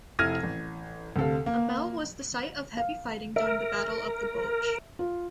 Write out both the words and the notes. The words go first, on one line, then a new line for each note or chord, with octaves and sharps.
Amel was the site of heavy fighting during the Battle of the Bulge.
F1 E4 F6 G#6 A#6 D#7
A1
D2 C3 A4 F5
A#3
F5
A#4 E5
F4